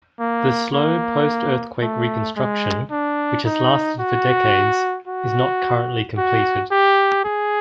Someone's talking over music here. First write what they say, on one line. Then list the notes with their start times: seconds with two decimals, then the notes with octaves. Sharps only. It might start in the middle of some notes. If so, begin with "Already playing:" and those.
The slow post-earthquake reconstruction, which has lasted for decades, is not currently completed.
0.20 A#3
0.74 A#3
1.82 A3
2.37 G#3
2.91 D4
3.46 D#4
4.00 F#4
5.08 F#4
6.17 F#4
6.71 G4
7.25 G#4